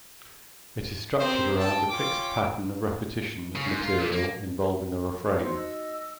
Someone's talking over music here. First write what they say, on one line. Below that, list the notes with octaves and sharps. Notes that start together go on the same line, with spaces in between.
It is structured around a fixed pattern of repetition of material involving a refrain.
C4 G4 A#4 C5
G5 A5
C#4 F4 D6
C#3
G#2
F4
A#2
A#3
A3 D#4 F#4 C5
D#5 E6